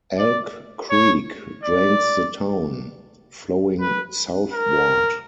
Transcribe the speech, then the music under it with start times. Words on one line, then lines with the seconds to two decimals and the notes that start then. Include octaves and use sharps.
Elk Creek drains the town, flowing southward.
0.18 D5
0.90 C#5
1.63 D5
3.80 B4
4.53 A#4